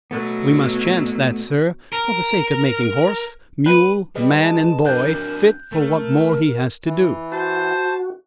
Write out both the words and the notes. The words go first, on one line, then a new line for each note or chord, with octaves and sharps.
"We must chance that, sir, for the sake of making horse, mule, man and boy fit for what more he has to do."
B2 F#3 A3 B3
A#4
B4
G3 G#4 B4 D#5
G#3 A5
F#3 D4 A#4 F#6 G6
A3 A#4
E3
F#4 C5 A5